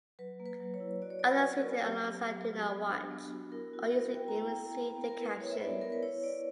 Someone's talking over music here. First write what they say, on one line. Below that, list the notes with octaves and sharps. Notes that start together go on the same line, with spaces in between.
Others seated alongside do not watch, or usually even see, the captions.
F#3 B4
A#3
B4
F#3
C#5
E4
F#4 D5
C#5
F#4 D5
B4
B3
A#4
B3
F#3 G4
B3
F#3
F#4
B3
D4
B3
F#4
E4 A#4
E4 F#4
B3 A#4
B3 G5
A#5
E4 G5
E4
B3
B3
A#4
E4 B4
E4 C#5
E5
B3 D5
B3 A#4
B4
E4 C#5
E4 D5